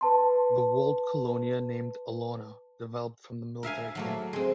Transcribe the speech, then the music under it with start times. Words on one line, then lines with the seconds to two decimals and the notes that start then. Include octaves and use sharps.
The walled colonia named "Alauna" developed from the military camp.
0.01 B4 A5 C6
3.63 A#4 E5 F5 G#5
3.95 F#3 A3 A#3
4.33 G#3 C4